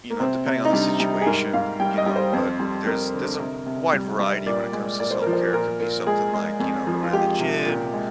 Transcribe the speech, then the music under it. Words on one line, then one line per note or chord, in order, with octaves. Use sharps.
you know, depending on the situation, you know, but there's there's a wide variety when it comes to self-care; it could be something like, you know, going to the gym,
A#3
C3 C4
C3
D#4
G3 D4
G3
G#4
G#2 A#4
G#2 F5
G3 G5
D#5
G3
C5
F2 C5
G3
F2 A#4
D3
C3
C3
G3
G3
A#2 D5
G#3
A#2 D5
C5
F3 A#4
C5
A#2 A#4
A#2
G#3 G#4
G#3
F2
F3
F4
G#3 G4
C3
A#2
G#3